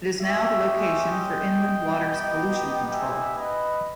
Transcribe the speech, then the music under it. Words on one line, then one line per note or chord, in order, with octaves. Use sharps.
It is now the location for Inland Waters Pollution Control.
G#3 C#4 G4 C#5 E5
D#5 G5
B3 D#4 G4
E5 G#5
B4 D#5